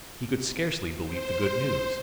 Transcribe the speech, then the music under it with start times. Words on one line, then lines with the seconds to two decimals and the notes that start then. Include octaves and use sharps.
He could scarcely believe the good news.
1.02 C5